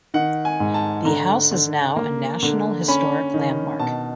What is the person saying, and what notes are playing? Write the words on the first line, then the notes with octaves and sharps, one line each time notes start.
The house is now a National Historic Landmark.
D#3 F#5
G#5
G#2
A5
D3 A#5
D3
A#3
D3
C#4 B5
D#3
B2 A5